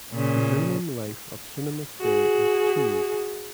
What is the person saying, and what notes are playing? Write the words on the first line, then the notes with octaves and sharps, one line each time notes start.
The minimum length of cinema stay is two weeks.
A#2 C#3
F#4 G#4